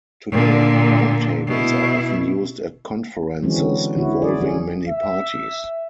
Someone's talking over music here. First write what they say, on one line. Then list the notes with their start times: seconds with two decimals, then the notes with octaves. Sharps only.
Today, round tables are often used at conferences involving many parties.
0.31 A#2 D3
1.47 B2 E4
3.42 D3 E3 F#3 G#3 C4 C#4
3.58 D3
3.97 D3 E4 F#4
4.22 G#4 D5
4.40 F#3 C#4 G#4
4.88 E5